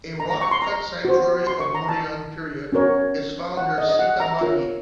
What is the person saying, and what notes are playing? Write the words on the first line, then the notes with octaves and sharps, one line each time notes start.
A Rock cut sanctuary of Mouryan period is found near Sitamarhi.
A#5
A#5
C#6
C6
A#5
F#4 C5
C6
C#6
A#5
A5
C#4 F#4 A#4 C#5
F#5
D#5
D#5
F#5
A#5
F4 A#4 C#5